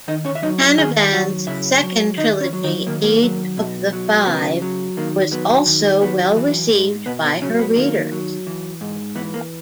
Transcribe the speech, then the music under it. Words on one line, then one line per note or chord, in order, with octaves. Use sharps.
Canavan's second trilogy, "Age of the Five", was also well received by her readers.
D#3 D#4 D#5
C#4 C#5
E5
F#3 D#4 D#5
E4 E5
D#3 G#4 G#5
F#3 F#4 F#5
C#3 E4 E5
F#3
D#3 D#4 D#5
C#4 C#5
F#3
D#3 D#4
D#3 A#3
A#3
F#3
B2
F#3
C#3 B3
F#3
D#3 A#3
F#3 B3
D#3
F#3 B3
E3
G#2
B2 B3
B3
C#3 F#3 C#4
B3
D#3 A#3
F#3
E3
G#2
E3 B3
A#3